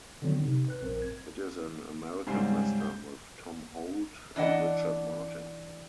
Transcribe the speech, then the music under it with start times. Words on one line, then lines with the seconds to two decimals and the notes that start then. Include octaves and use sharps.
It is an American western with Tom Holt and Richard Martin.
0.22 D3 D#3 F#3 B3 C4 D4
0.41 C3 D#4
0.68 B4 F#6
0.82 A#1 C4 A#4 C5
1.02 G#6
2.27 G#2 C#3 G3 C4 C5 C7
2.80 G6
4.36 E3 D4 D#5 F#5 A5